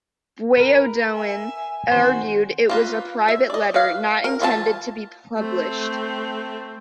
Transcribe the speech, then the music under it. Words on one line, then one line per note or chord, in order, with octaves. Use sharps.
Beaudoin argued it was a private letter, not intended to be published.
A#4 B4
E5 G#5
D#3 C4 F#4 C5
A#3 F4 B4
E5
D5 D#5
B4 F5
A#4
E3 F4 G#4 A5
A3 C4